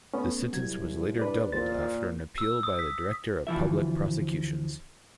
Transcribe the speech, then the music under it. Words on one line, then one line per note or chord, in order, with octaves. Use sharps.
The sentence was later doubled after an appeal by the Director of Public Prosecutions.
A3 B3 C#4
C2 F#3 G#6
D4 B4 D5
E2 A#2 C5 A6
E6
D#6
B6
D2 E3 F3 E5